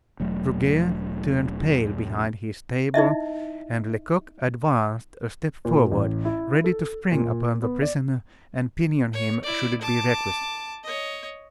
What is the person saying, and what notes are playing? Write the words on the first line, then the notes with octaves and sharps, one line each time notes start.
Goguet turned pale behind his table, and Lecoq advanced a step forward, ready to spring upon the prisoner and pinion him should it be requisite.
E1 F#3 A3
D#4 E4 D#5 E5
A#2
A1
E4
A4
A#2
B3
D5
C#5
E4 D5
A5 D6
C#5 D#5